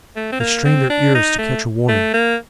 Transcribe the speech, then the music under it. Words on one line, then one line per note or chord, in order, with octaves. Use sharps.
They strained their ears to catch a warning.
A3
C4
A#3
C4
D4
D#4
A3
A3
A#3